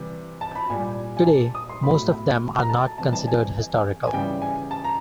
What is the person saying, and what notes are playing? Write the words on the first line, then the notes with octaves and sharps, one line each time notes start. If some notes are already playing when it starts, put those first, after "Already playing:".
Today, most of them are not considered historical.
Already playing: C3 E3 G3
A5
B5
A#2 G3 G#5
G#5
A5
D#6
C6
A2 F#3 B5
A#5
A5
C3 E3 G3 A5
A5
G#5
G#5
C#3 E3 G3 G5
G#5
A5
A#5